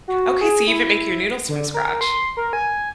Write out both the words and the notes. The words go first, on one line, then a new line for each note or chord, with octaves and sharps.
Okay, so you even make your noodles from scratch.
F#4
G#4
E4
D3
A#4
C6
A#4
G#5